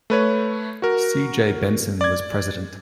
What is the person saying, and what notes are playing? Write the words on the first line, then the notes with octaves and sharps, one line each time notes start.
C. J. Benson was president.
A3 B4 C#5
F#4 A#4
D5 G#6